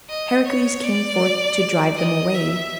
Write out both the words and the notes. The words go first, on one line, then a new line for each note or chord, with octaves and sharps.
Heracles came forth to drive them away.
D#5
C#5
D5
D#5
E5